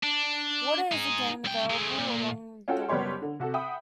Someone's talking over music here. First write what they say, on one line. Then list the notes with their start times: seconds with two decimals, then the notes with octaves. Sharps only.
Water is again available along the way.
0.03 D4
0.92 D#4 G#4
1.45 C2 G5
1.70 G#3 A3
1.98 A#2
2.68 C#4 F4 F#4 A4 G5
2.89 F#1 G3 B3 G4 C#5 C6
3.22 D3
3.40 C3 F#4 A4
3.54 E5 F#5 G5 B5 D#6